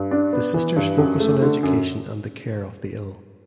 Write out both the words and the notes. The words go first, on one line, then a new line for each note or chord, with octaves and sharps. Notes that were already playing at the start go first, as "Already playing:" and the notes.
The sisters focus on education and the care of the ill.
Already playing: G2
D4
B3
E3
G2
F#2
A3
D3
F#2